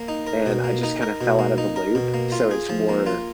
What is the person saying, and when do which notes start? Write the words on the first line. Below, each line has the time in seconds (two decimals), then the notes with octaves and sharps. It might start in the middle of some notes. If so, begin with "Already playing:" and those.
and I just kinda fell out of the loop. So it's more
Already playing: A#3
0.08 D#4
0.27 A#4
0.46 B2
0.64 A#3
0.83 D#4
1.02 A#4
1.21 B2
1.39 A#3
1.58 D#4
1.76 A#4
1.95 B2
2.14 A#3
2.32 F4
2.51 G#4
2.69 F3
2.89 A#3
3.06 F4